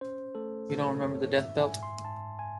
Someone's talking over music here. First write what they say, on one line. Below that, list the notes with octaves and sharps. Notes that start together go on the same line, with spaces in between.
You don't remember the Death Belt?
C#4 C5
A3 A4
A3 A4
F#2 C#5
G#2 E5
G#5
G#2
C6
G#2 A5
G#5